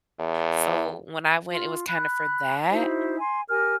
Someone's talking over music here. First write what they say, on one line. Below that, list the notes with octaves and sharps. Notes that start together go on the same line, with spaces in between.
So when I went, it was kinda for that.
E2
F4
B5 F#6
D#4 E4 F#4 C5
G#5 C6
G4 A#4 G#5 F6